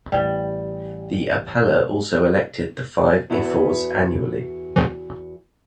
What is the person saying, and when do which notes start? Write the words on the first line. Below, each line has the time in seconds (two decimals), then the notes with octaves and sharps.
The apella also elected the five ephors annually.
0.12 A1 G3
3.30 E2 E4 F#4 A4 B4